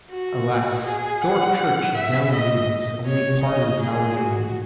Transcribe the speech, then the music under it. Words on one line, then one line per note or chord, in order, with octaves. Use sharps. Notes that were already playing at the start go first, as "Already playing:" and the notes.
Alas, Thorpe church is now in ruins, only part of the tower remaining.
F#4
G#4
F#5
E5
D#5
C#5
D#5
G#4
F#4